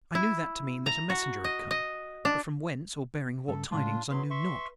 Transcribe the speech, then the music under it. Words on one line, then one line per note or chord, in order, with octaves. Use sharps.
I knew that to mean that a messenger had come; but from whence or bearing what tidings I knew not.
E4
A#5
F#4
D#5
D#5
D4
G2 A#2 C#3 A4
A2 C#3 G#3 D4 F4
E2 F#3 B4 C6
E5 C6 C#6